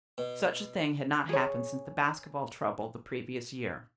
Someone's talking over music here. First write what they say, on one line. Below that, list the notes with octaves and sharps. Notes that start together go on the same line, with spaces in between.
Such a thing had not happened since the basketball trouble the previous year.
B2
G#4 C#5